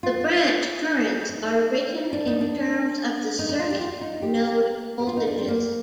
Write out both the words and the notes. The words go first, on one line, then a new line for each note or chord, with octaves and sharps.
The branch currents are written in terms of the circuit node voltages.
F4
D#4
D4
D#4
D4
D#4
D#4
F4
G4
F4
D#4
G4
G4
F4
D#4
D4
C4
A#3